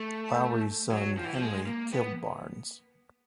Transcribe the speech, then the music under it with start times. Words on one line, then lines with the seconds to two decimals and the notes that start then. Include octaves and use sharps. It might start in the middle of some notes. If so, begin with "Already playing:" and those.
Lowrey's son Henry killed Barnes.
Already playing: A3
0.91 F#3
1.17 F3
1.24 E3
1.34 F3
1.42 G#3
1.67 A#3
1.93 B3